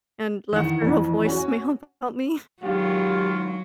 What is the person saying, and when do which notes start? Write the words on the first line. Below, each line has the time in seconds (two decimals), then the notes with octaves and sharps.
and left her a voicemail about me.
0.53 D#3 E3 F#5
0.82 F2
1.25 C#4 F#4
2.63 G#2 D#3 F#3 F4 G4